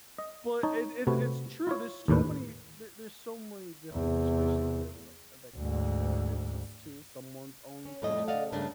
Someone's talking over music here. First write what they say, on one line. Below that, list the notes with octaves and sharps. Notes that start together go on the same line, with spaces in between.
But it it it's true, there's so many there there's so many different situations and variables, like, that cause it, and it's just to someone's own personal
D#5
D#4 C#5 A5
C3 A3 F#4 B4
E4 F4 C#5
D#2 A2 B4
E2 C3
D2 G#2
C#4
F2 A2 G3 A3 G4 D#5
D5 D#5 F5 F#5
G2 C#3 A3 A#3 D4